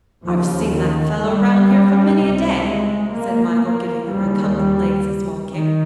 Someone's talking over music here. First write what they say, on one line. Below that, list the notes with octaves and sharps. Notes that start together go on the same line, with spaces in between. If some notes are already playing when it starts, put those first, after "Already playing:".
"I've seen that fellow round here for many a day," said Michael, giving the recumbent legs a small kick.
D#2 C#3 F3
D#3
G3
C#2 C3
G#3
A#3
A#3
D#2 C#3 G3
G3
D#3